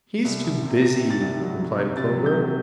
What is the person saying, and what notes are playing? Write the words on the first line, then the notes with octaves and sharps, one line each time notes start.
"He's too busy," replied Clover.
C2
C2
C3
C3 A#6
D#3
A6
C2
F#3
F#3
C3
C3 A6
F#3
G6
F#3